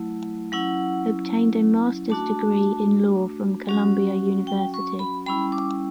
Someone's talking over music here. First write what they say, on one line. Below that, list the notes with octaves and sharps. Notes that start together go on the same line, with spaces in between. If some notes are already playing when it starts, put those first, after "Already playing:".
Obtained a master's degree in law from Columbia University.
Already playing: F#3 A3 E4
F#3 C#4 E4 F#5
A3 D4 F#4 A5
F#3 C#4 F#4
G5
C#6
B5
G3 C#4 E4 B5
D6